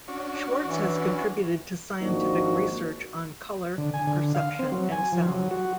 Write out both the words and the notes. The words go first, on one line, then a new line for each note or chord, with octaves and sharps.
Schwartz has contributed to scientific research on color perception and sound.
C#4 D4 F#4
E3
G#1 F3 A#3 D4 D#4 F#4
D3
G#5
D3
F5
C4
F#3
G#5
F3
F#3
F#4